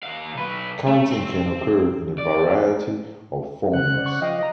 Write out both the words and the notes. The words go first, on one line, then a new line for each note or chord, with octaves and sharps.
Counting can occur in a variety of forms.
D#2 F5
B1 B4
A3
C4
D5
C#3 F#5 F#6
C5 D5
C#6
F3 D#5 F5 G5
D#5 A#5